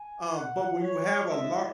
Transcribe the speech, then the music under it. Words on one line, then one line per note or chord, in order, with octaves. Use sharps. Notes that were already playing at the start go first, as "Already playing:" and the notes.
um, but when you have a lar
Already playing: G#5
F#5
C#5
A2 G#3 E5